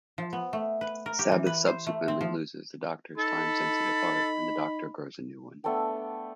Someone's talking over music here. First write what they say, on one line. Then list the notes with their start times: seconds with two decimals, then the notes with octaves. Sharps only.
Sabbath subsequently loses the Doctor's time-sensitive heart and the Doctor grows a new one.
0.18 F3
0.33 B3
0.53 A3
0.81 B4
1.06 A#4
1.19 G4
1.32 E3
1.47 B4
1.67 C5
1.87 A3
2.08 C4
2.21 F3
3.18 D#4 A4 B5
5.64 A3 B3 D4 G5